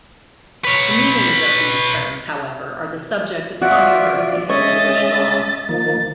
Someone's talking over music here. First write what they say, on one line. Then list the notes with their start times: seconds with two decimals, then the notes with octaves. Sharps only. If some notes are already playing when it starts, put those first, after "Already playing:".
The meanings of these terms, however, are the subject of controversy in Jewish law.
0.65 B4 C#5
3.62 F3 F4 F#4 D5 E5
4.49 G#3 C#4 C#5 D#5 E5 A6
5.69 D#3 F3 A#3 A6